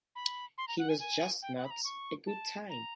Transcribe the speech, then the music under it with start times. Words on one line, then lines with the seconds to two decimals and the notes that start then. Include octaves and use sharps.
He was just not a good time.
0.16 B5
0.58 C6
0.68 A#5
0.79 F#5
0.89 G#5
1.00 G#5
1.42 G5
1.57 F#5
1.65 B5
1.71 A#5
1.84 C#6
2.27 A5
2.70 A#5